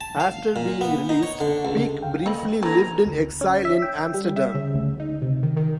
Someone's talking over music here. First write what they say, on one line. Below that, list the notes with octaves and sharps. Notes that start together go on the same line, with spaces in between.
After being released, Pieck briefly lived in exile in Amsterdam.
A5
F5
A#2
B3
D#4
C#5
D3
C#2
D2 F5 G5
A#3 A4 D#5 B5
D3 A4 B4 A#5 G#6
D2
C#4
E5
G5
G3
E5
C#3
D2
D#4
C3
D#3
D#3